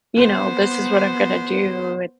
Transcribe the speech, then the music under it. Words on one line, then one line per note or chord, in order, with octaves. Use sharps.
you know, "This is what I'm gonna do," and
B3 C5